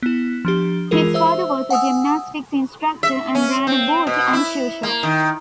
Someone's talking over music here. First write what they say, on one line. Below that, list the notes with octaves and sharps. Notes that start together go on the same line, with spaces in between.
His father was a gymnastics instructor and ran a boot and shoe shop.
B3 E4
F3 D4 G4
E3 G#3 F4 G#4 A#4
C5 E5 E6
F#5 G#5 D#6 E6
E5
C#4
C4
B2
E4
A#3
D#3